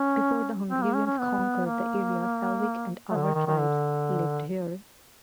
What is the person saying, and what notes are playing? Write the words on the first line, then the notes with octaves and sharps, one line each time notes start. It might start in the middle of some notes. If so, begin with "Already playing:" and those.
Before the Hungarians conquered the area, Slavic and Avar tribes lived here.
Already playing: C#4
C4
A#3
C#4
C#4
B3
A#3
A3
D3
D#3
D#3
D#3
D3